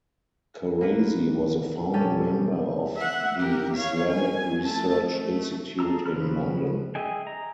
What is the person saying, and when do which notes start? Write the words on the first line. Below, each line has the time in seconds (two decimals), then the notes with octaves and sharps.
Kharazi was a founding member of the Islamic Research Institute in London.
0.81 A#1 A#3 A#4 B4
1.94 B2 D#3 G3 C#4 G4 A4
2.97 E5 F#5
3.39 G4 A#4
3.73 C#5 F5
4.08 G#5
4.65 A3 A5
5.13 A3
5.79 G#4 A4 A#5 E6
6.06 C#3 F3 B4 B5 F6
6.95 G#4 D#5 E5 G5 G#5
7.27 A#5